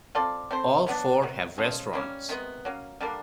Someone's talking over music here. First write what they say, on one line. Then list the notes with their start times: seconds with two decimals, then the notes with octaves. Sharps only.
All four have restaurants.
0.15 C4 F4 A4 D5
0.51 C4 E4 A4 C5
0.87 B2 F#3 B3 D4
1.22 C3 D#3 F#3
1.58 F3 G#3 C#4
1.93 G3 A#3 C#4
2.29 C3 D#3 G#3 B3
2.65 F#3 A#3 C#4
3.01 D3 G3 A#3 D4